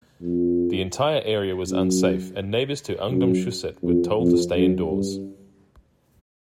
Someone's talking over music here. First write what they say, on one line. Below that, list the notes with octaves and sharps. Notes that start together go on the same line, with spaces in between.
The entire area was unsafe and neighbors to Ungdomshuset were told to stay indoors.
F2
F#2
F#2
F2
F2
F#2
G2